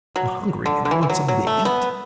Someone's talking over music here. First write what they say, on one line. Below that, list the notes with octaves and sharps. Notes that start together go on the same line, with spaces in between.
"I'm hungry, and I want something to eat!"
F#3
D3
D3
E3
E3
F#3
F#3
A3
B3